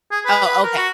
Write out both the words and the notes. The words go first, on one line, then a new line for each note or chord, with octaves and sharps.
Oh, okay.
G#4
B4
B4
A#4
F#4